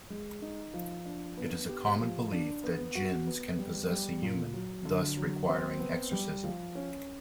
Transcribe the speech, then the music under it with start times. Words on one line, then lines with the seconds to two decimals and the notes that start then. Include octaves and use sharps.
It is a common belief that jinns can possess a human, thus requiring Exorcism.
0.10 G#3
0.42 D#4
0.74 F3
1.05 D4
1.37 B3
1.69 G4
2.00 F3
2.32 D4
2.63 B3
2.95 F#4
3.27 B3
3.59 G3
3.90 G3
4.22 A#2
4.54 F#3
4.85 D3
5.17 F#3
5.49 C4
5.80 B3
6.12 G3
6.44 F3
6.75 C#4